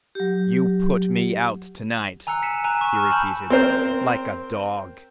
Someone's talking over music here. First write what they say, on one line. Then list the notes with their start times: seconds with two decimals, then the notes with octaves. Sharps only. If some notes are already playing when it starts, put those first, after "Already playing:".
"You put me out to-night," he repeated, "like a dog."
0.15 F#3 G4
2.27 G#5 A#5 E6 F#6 C#7
2.43 B6 C#7 D#7 E7
2.64 G#5 A#5 F#6 E7
2.81 C#6
2.96 F6
3.11 G#5 A5 B5 G6
3.50 C4 A#4 C5